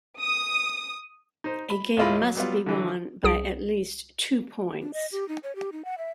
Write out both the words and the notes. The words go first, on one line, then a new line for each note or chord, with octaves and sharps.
A game must be won by at least two points.
D#6
D#4 C5
B5
D#2 A2 E4 F4 D#5 B5
F#3
F#3 G3 B3 F4
D3 E3 F#3
C2 G#4 D#6 D7
D4
D#5
G4
D#4
C#5
G4
D#4
F#5
E5